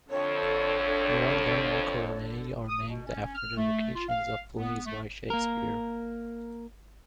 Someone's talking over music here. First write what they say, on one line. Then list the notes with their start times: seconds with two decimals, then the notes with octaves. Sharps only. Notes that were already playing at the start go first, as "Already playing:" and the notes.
Mirandan coronae are named after the locations of plays by Shakespeare.
0.10 F2 D3 A4 C#5
2.68 D#6
2.89 B2
3.06 C#4
3.35 F6
3.57 A3
3.95 F4
4.09 F5
4.58 B3
4.86 A3
5.30 A#3 A#4